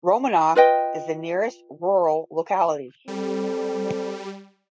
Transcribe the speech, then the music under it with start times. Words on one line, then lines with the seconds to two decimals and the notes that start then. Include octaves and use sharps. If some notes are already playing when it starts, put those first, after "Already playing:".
Romanov is the nearest rural locality.
0.55 F4 B4 D#5 G5
3.08 G3 C4 A4